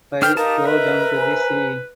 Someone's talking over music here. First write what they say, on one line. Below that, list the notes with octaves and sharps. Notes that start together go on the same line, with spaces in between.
Five Go Down to the Sea?
D4 B4 C5 G5 F6
D#4 G4 A#4 F5 A5
A4 B4 D#5 E5
C5 G#5 A#5